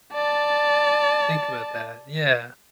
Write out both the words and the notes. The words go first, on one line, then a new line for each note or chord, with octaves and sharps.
think about that, yeah.
D5 A5